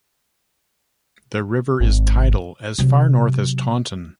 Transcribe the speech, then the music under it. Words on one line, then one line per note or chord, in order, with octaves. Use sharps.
The river is tidal as far north as Taunton.
G#1
C3 F#3